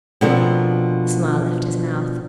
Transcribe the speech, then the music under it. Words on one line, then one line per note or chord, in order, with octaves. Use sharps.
The smile left his mouth.
B2 D3 F3 C4 A#4